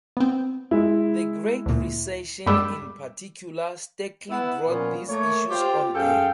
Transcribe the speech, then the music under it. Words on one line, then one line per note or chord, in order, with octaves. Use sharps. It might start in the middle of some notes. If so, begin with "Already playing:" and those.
The Great Recession in particular starkly brought these issues on-air.
B3 C4
G#3 E4
D2 A#2
G2 G3 G#3 B5 D6 E6
B3 E4 F#5
A#2 F3 A#3 B3 C#4 F4
A3 A#3 C#5
F4 G4 C5
F#2 C#4 G#4 A4 F5 G5